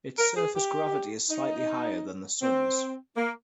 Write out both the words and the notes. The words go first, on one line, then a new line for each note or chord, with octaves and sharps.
Its surface gravity is slightly higher than the Sun's.
A#4
G#4
G4
D#4
C4
A#3